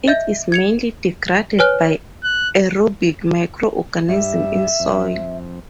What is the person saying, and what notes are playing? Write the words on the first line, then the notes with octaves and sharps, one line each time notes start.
It is mainly degraded by aerobic microorganisms in soils.
D#5 E5 G6
G#6 C#7 F7
B4 C#5 G#5 F6 F#6
F#6
G2 G3 E5
F2